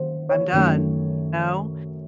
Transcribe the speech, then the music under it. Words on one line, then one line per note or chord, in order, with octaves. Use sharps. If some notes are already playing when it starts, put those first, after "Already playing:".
"I'm done." You know?
Already playing: D#3 C5
C#5
F#2 D#3 A3